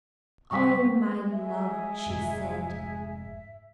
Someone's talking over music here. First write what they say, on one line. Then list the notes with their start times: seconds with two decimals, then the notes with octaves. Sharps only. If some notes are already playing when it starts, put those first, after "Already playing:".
"Oh, my love!" she said.
0.51 C3 F#3 G3 C#6 B6
1.32 G#3 G#4 E5
2.06 F1 G#2